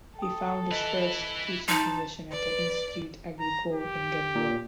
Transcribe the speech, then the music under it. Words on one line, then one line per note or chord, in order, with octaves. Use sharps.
He found his first teaching position at the Institute Agricole in Gembloux.
A4 G5 D#6
E4 B4 D#5
D#4 A5 C6
B4 D5
A#5
G4
A#2